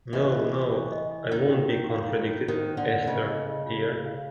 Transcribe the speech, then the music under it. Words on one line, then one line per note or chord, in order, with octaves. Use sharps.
No, no, I won't be contradicted, Esther dear!
E3 D#5
D#5
C#6
C#6
D#5
D#5
D#3 A#4
A#4
C#5
F5
F4
C#5
D#3 C5
C5
D3
C5
C#3 D#5
D#5
D#5
F4
A#4
F5